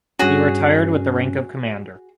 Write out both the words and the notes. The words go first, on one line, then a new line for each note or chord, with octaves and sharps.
He retired with the rank of Commander.
G2 C#4 F#4 G#4